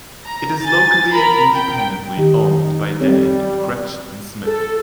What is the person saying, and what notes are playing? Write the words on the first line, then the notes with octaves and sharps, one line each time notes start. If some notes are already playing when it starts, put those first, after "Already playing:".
It is locally and independently owned by Dan and Gretchen Smith.
A#5
G#5 A6
A#4 A#5 B5
G5
D#3 D#4 G4
G3 C4 A4 C#5
A4